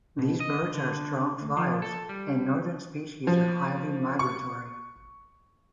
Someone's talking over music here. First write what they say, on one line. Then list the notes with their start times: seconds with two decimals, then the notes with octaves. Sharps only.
These birds are strong fliers and northern species are highly migratory.
0.19 B2
0.40 D#5
0.74 D3
1.41 D2
1.57 F3
1.82 A4
2.09 G3
3.27 F3
4.19 C#6